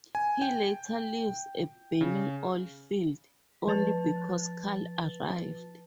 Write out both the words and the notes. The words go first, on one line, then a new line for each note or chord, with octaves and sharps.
He later leaves a burning oil field, only because Carl arrived.
G#5
G5
C#3
F3 B4 A5 A6